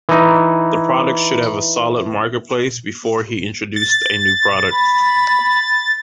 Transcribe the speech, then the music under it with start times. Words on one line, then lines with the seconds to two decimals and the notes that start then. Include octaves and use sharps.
The products should have a solid market place before he introduced a new product.
0.09 E3 D#4
3.76 A6
4.72 B5